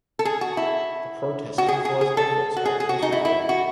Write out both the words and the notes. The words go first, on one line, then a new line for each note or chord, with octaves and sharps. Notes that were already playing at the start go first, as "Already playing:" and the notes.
The protests catalyzed efforts at police reform.
A4
G#4
F#4
E4
F#4
G#4
G#4
G#4
A4
F#4
G#4
G#4
F#4
D#4
E4
E4
F#4